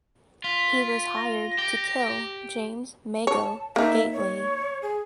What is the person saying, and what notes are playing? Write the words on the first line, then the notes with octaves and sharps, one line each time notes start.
He was hired to kill James "Mago" Gately.
F4 B6
A#6
G4
C#5 A5
A#3 D#4 E5
C#5
G#4